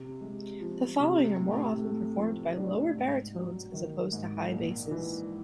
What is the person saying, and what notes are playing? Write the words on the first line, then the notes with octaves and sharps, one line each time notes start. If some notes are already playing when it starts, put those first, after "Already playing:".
The following are more often performed by lower baritones as opposed to high basses.
Already playing: C3
G#3
F3
C3
A2
A3
F3
D4
G#2
F#3
D#3
G#2
A#1
E3